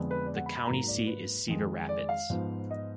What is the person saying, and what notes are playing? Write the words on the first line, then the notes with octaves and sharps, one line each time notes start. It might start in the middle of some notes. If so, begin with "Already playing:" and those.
The county seat is Cedar Rapids.
Already playing: F2 D3 G#3 B3
B4
D5
F#5
B5
B5
G#2 F#3 A#3 A#5
D5
B4
F2 D#3 G#3
D5
F5
G#2 F3 B3
D#5